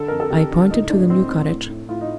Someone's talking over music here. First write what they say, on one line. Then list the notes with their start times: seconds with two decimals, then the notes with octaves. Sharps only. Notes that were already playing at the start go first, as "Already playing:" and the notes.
I pointed to the new cottage.
Already playing: D3 A4
0.08 F2 A#4
0.20 A4
0.30 F2 G4
0.51 D3
0.71 A2 D#4
0.90 A2 D4
1.10 A2 C4
1.29 A2 C4
1.50 A2
1.70 A2
1.89 A2 F4
2.01 D#4